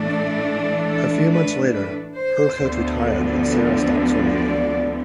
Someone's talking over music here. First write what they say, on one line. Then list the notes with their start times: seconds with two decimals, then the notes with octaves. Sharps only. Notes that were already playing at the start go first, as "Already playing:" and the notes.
A few months later, her coach retired and Sara stopped swimming.
Already playing: A2 E3 A3 D4
0.91 A4
1.32 B4
1.74 B4
2.16 C5
2.57 D2 D3 F3 B3
4.25 D5